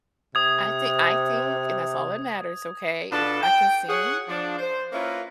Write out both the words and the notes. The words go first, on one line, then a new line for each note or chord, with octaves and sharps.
I thi I think and that's all that matters, okay, I can sing,
C3 D#6 G#6
B2 D4 F4 A4 B4 A5
G5
G#4 C#5 F#5
F3 D4
C5
A#3 C#4 E4 F4 A#4 B4